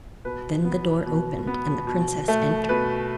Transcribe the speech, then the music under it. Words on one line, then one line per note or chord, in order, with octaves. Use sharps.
Then the door opened, and the princess entered.
B2 B4
B3
B2
B3
B2
A3
B2 B4